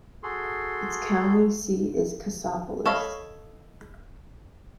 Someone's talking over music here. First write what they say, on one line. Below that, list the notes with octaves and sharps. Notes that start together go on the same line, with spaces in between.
Its county seat is Cassopolis.
F#4 G#4 A4 C6
A4 C#5 D#5 F5 B5